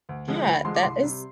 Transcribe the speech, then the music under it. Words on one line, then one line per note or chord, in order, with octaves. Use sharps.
Yeah, that is
D2
D3 F3 G#3
D2 B5
D3 F3 G#3 C6
D6
C2 C6
C3 G3